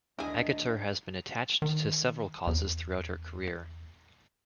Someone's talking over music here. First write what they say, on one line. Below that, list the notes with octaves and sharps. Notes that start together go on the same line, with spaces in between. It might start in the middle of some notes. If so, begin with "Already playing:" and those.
Agutter has been attached to several causes throughout her career.
D2 D#3 D4 E4 G#4 D#5
D#3
E2